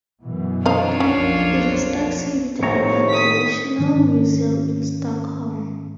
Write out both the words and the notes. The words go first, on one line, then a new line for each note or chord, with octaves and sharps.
It is exhibited at the Nationalmuseum in Stockholm.
F#2 B2 E3
C4 D4 D#4 F4 C#5 F5
B1 F2 A#3 C#4
F2 A2 C3 D#3 C#5 G#5 A#5
D#6 B6
G#2 D#3 C#4